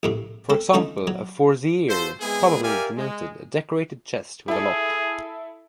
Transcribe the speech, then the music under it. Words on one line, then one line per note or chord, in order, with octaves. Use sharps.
For example, a "forziere" probably denoted a decorated chest with a lock.
A#1 A2 C3
C4 A4
D3 F3 C#4 D#4 F4
F#3
F4 F#4 A4 C5
G#3 B3 C4 E4 G#4
G4 A#4 D5 E5 F5 G#5
G#3
E4 G#4 A4